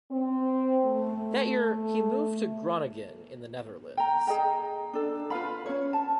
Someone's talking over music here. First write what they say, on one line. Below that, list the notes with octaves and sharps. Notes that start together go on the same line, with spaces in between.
That year, he moved to Groningen in the Netherlands.
C4
A3
G5 A#5
G#4 D#5 G5 A#5
D4 A4
F4 B4 F5 B5
C#4 C#5
A5